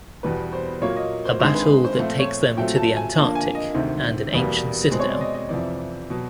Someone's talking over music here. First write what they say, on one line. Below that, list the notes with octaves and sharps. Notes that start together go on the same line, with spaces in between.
A battle that takes them to the Antarctic and an ancient citadel.
E2 B2 G3 B3 B4
C5
A#2 F#3 A#3 C#5
D#5
C5
G2 D#3 G#3 C4 C5
B4
C5
A#2 F3 A3 C4 C5
C#5
A#2 F#3 A3 C4 G5
A5
G#5
G2 D3 F3 A#3 A5
G#5
D#5
D2 C3 D#3
E2 B2 G3 A#3
B2 G#3 C4
C#5
D5
D#5
D#5
F2 C3 E3 D5
B2 F#3